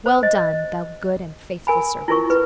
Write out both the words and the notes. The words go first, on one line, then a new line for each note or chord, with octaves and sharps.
Well done, thou good and faithful servant!
C5
D#5
A#4 G#5 B5
E4 F4 A#4 C#6
B4